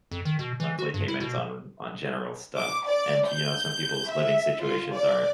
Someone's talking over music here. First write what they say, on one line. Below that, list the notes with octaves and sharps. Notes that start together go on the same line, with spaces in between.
monthly payments on on general stuff, and, you know, some people's living situations aren't
F2
D#3
B2
E3
F#4
G2
E4
B2
D6
D5
G6
E5
F4
D5